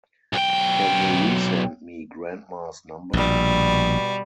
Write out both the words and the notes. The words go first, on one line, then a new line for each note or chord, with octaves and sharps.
Can you resend me grandma's number?
B1 G5
A#1 B2 G3